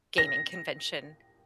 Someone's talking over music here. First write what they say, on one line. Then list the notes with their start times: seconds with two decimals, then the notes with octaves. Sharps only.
gaming convention,
0.18 A#6